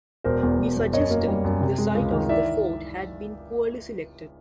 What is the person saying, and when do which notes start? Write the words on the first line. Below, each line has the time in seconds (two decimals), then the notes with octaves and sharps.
He suggested the site of the fort had been poorly selected.
0.24 E1 A#4 C5
0.43 E2
0.59 E2
0.76 E2
0.93 F#2 C#5 D#5
1.11 A#3
1.27 G3
1.44 F#2
1.61 C3
1.78 G#3
1.95 C#2
2.12 D#3
2.29 E3 D5 E5